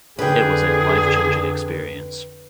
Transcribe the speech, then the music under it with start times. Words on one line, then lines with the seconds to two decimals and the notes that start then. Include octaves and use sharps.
It was a life changing experience.
0.19 F2 D3 G#4 B4 G5